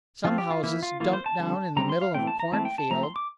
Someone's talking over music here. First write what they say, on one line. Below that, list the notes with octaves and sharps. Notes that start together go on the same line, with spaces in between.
Some houses dumped down in the middle of a cornfield.
F3 C4 F4
G4
F4
E3 A#3 E4
F4
E3 A#3 F4
C5
A5
D3 G3 C4
D3 G3 C4 A#5
C6
F5
E3 A3 C4 G5
A5
A#5
E3 A3 C4 A5
G5
A5
F3 A3 C4 A#5
C6
D6